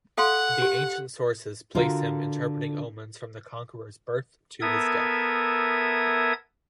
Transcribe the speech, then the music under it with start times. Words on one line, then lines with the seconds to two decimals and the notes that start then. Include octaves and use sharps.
The ancient sources place him interpreting omens from the conqueror's birth to his death.
0.18 A4 F5 F#5 C6
0.62 G4
1.75 D3 F4 F#4 A#4
4.61 B3 A4 A#4 E5 D#6 G#6